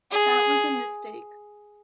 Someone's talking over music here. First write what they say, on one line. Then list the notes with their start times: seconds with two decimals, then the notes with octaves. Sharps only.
That was a mistake.
0.12 G#4